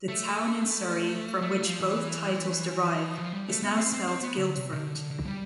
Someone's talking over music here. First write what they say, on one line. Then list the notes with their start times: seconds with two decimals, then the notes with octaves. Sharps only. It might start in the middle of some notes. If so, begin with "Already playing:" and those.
The town in Surrey from which both titles derive is now spelt "Guildford".
0.08 A3
1.42 A3
1.62 F3
1.81 E3
3.18 F3
3.33 G3
3.48 A3
3.63 B3
3.78 C4
3.92 C4
4.07 C4
4.21 B3
4.37 D3
4.56 C3
4.72 C3
4.76 D3
4.96 D3
5.11 D3
5.25 G3